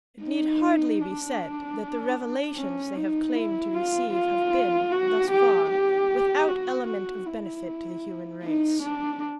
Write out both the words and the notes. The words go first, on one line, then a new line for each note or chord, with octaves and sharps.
It need hardly be said that the revelations they have claimed to receive have been, thus far, without element of benefit to the human race.
D#4
D4
C#4
D#4
E4
F4
F4
F#4
G4
G4
F#4
F#4
E4
D#4
D4